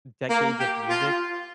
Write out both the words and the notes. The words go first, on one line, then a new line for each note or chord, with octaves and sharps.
decades of music
A#3
G4
F4